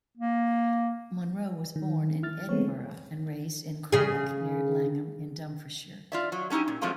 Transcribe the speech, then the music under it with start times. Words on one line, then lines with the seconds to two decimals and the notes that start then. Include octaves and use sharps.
Monro was born in Edinburgh and raised at Craigcleuch near Langholm in Dumfriesshire.
0.18 A#3
1.76 D#3
2.23 E4 F6 A6
2.49 G#3 A3 B3 C4 C#5
3.92 C#3 G#4
6.12 F4 D5 E5
6.32 F#3
6.50 A3 C#4 D#4 E4 G4
6.68 A#2
6.81 F3 F#3 G#3 A3 C4 F4